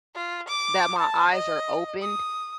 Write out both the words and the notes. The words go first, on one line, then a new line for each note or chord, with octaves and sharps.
that my eyes are opened,
F4
D6
A5
D#5
D#6